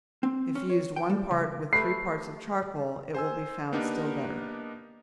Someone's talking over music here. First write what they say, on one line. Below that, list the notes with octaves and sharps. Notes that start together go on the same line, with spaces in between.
If used one part with three parts of charcoal, it will be found still better.
C4
C#4
C#5
G5
G3
C#3
A3 G4 B4 C7
C5 G#5 E6
A#3 B3 D4 D#4 G4 A#4